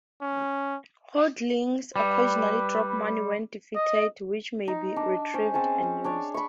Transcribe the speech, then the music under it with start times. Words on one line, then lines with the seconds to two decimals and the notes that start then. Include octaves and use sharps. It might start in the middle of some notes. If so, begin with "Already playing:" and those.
Hordlings occasionally drop money when defeated, which may be retrieved and used.
0.22 C#4
1.96 G3 B4
3.75 D#5
4.68 D#4
4.96 D4
5.34 C#4 C5
5.54 C4 C#4 G#4 A5
6.04 D4 C#5 D5
6.34 B5 C#6